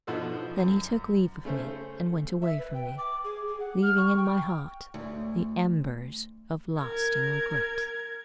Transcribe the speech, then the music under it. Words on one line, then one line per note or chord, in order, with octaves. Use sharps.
Then he took leave of me, and went away from me, Leaving in my heart the embers of lasting regret.
B2 F3 D4 D#4 F#4 A4
F3
F#2
C#3 A3 C#4 C5
E5
B4
G5
D6
G#4
G#4
F#5
F6
C#6
G5
D2
A#4 G#6